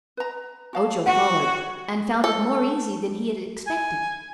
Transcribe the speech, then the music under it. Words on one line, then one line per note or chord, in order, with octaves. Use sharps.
Ojo followed and found it more easy than he had expected.
B4 A#5
F#4 F5 A5
F#4 F#5
C#5
A4
G#5